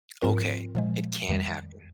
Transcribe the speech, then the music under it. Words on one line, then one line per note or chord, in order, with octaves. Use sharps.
Okay. It can happen.
G#2 F3 C4 F4 A#4
A#2 F3 G#3
F2 D#3 G3